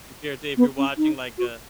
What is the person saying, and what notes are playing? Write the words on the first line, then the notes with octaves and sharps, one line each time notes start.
compared to if you're watching, like, a
B3
C#4
D#4
F#4